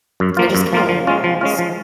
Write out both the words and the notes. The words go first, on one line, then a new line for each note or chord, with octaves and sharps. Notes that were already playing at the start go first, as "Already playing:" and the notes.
...I just kinda wanted to ask
F#2
F3 A#3 F4
F#2
F3 A#3 F4
F3
G#3 C#4 F4
F3
G#3 C#4 F4
F3